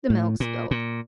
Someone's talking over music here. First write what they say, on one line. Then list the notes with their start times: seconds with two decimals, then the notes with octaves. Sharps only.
the milk spilled.
0.10 A2
0.40 A#2
0.71 A#2